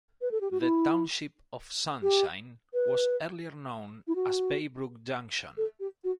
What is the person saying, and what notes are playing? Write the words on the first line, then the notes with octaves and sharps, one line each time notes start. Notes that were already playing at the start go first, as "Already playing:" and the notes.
The township of Sunshine was earlier known as "Braybrook Junction".
B4
A4
G4
F#4
E4
G4
B4
E4
F#4
A4
G4
F#4